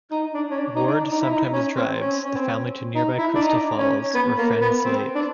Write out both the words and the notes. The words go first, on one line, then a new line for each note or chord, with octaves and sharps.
Ward sometimes drives the family to nearby Crystal Falls or Friends Lake.
D#4
D4
C#4
D4
D#4
D4
D#4
D#4
E4
D#4
C#4
C4
C#4
C#4
C4
D#4
E4
D4
D#4
C#4
B3
A#3
B3
C4
D4